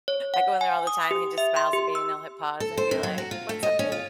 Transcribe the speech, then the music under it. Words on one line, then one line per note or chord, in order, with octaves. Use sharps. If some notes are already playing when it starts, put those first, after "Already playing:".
I go in there all the time, and he just smiles at me, and he'll hit pause and be like, "What's up, babe?"
C#5
F#5
G#5
D#6
G4
E5
C6
G4
E6
A4
C5
C3
F#3
F#4
F4
A3
D#5
C#4
F4